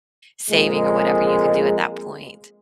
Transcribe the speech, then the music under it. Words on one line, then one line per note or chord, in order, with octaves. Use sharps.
saving or whatever you can do at that point.
F2 A#2 G#3